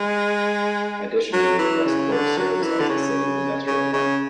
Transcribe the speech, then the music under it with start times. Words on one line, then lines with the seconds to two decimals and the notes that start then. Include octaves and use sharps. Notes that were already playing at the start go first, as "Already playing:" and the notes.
Additionally, Westpoort serves as the city's industrial park.
Already playing: G#3
1.33 F#3
1.59 E3
1.85 C#3
2.11 D3
2.37 F#3
2.63 E3
2.80 D3
2.89 C#3
3.67 C#3
3.93 C#3